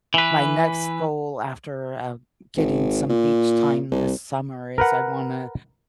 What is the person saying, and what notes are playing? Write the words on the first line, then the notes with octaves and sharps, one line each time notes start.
my next goal after, uh, getting some beach time this summer is I wanna
E3 B4
G#1
A#2
C2
A#4 B4 F#5